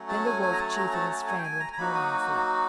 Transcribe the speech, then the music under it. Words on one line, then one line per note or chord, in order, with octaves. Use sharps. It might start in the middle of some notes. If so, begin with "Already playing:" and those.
Then the Wolf chief and his friend went home and slept.
Already playing: F#3 A3 C#4
A5
G#5
G#5
A#5
A5
A#5
A5
A5
G#5
G5
G#5
A#5
A#5
F#3 A#3 D#4 F#4 B5
D#6